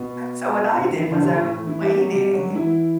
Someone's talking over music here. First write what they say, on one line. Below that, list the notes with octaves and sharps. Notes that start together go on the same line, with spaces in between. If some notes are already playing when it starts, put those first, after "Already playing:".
So what I did was, I was waiting;
Already playing: B2 B3
C3 C4
E3 E4
E3 E4
D3 D4
C3 C4
A2 A3
A2 A3
E3 E4
G3 G4
F#3 F#4
G3 G4
F#3 F#4
E3 E4